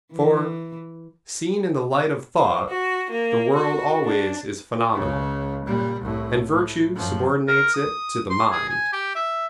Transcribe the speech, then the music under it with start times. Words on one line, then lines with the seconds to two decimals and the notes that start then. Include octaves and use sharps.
For, seen in the light of thought, the world always is phenomenal; and virtue subordinates it to the mind.
0.12 E3
2.39 C5
2.69 F#4
3.11 A#3
3.55 F#4
4.04 D4
4.93 C#2 C#3
5.65 A#2 G3
6.01 C2 A2
6.50 A2
6.95 F#2 F3
7.48 A#4
7.74 D#6
8.30 C6
8.51 G#4
8.69 G#5
8.93 G4
9.15 E5